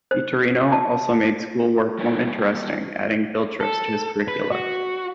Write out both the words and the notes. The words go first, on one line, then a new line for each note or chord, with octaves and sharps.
Vittorino also made school work more interesting, adding field trips to his curricula.
C5
A5
G3 A#3 B4 C#5
A4
B4
F#4